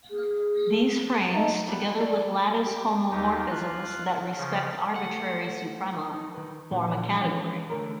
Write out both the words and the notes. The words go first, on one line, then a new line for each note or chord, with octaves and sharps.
These frames, together with lattice homomorphisms that respect arbitrary suprema, form a category.
G#4
D#4 E5 A5 A#5
G3 B3
A3 D5
G4
D#2 D#4 G4
F4 F#6
C#3 F3
A3 F#5
D#4
D#3 B4
A#2 D3 E3 F3
E3 F3 G#3 C#4
D3 E3 A3 A#4